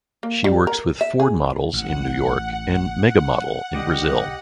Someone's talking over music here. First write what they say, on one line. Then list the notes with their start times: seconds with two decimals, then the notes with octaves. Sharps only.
She works with Ford Models in New York and Mega Model in Brazil.
0.23 A#3
0.44 G3
0.67 A#4
1.01 E5
1.20 G#4
1.73 A1 F#5
3.74 D3 G4 D#5